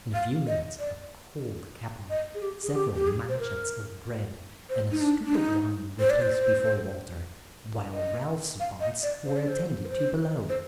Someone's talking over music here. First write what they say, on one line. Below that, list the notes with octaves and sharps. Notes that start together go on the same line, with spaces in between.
In a few minutes a cold capon, several manchets of bread, and a stoop of wine were placed before Walter, while Ralph's wants were attended to below.
F5
D#5
D5
D#5
G#4
G4
G#4
G4
G4
G#4
C5
A#4
C5
D#4
D4
D4
D#4
C5
D5
C5
D#5
F5
D#5
D5
C5
D5
C5
A#4
C5
C5